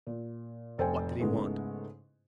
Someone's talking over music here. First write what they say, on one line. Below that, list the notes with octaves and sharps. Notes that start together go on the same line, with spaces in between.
What did he want?
A#2
F1 A4 C5 G5 G#5
G#2 C#3 G#3 A3 B3 E4